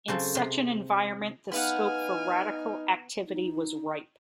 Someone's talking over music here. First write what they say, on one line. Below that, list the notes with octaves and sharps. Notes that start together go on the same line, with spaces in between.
In such an environment the scope for radical activity was ripe.
C#3 F#3 C4 A4
C3 C6
B3 D#4 B4 F5 F#5 G#5 F6
D#4